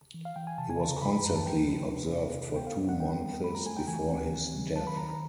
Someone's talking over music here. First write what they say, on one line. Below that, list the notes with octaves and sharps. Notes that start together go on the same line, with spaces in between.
He was constantly observed for two months before his death.
E3
F5
E3 G5
G#5
C3 A5
G#5
C#3 A5
A#5
F3 B5
B5
F#2 A#5
A5
F3 G5
F3
C3
C3
C3
B3 G5
F5
G3
F#5
B3 G5
G3
A3 B5
A#5
A3 G#5
G5
E3 G#5
C4
D#3
F#3
D#3 A5
B5
D#3 A#5
A#5